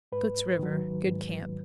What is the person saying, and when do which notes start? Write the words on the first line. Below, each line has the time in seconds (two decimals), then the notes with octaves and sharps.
Soot's River.--Good camp.
0.12 G#2 B4
0.59 D#3 F#3
1.06 G#2